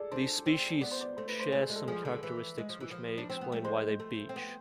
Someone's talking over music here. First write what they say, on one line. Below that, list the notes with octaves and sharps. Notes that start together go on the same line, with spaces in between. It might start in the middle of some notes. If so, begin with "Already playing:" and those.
These species share some characteristics which may explain why they beach.
Already playing: G#4 A4 D5
D4 C5
C4
B3 D5
C5
D5
A3 C5
B4
C5
A3 G#4
G#3
A4
F3 G#4
D3
E3 B4
G#3
F3
E3
F3
D4
C4
B3
A3
G#3 C5
A3
C4
B3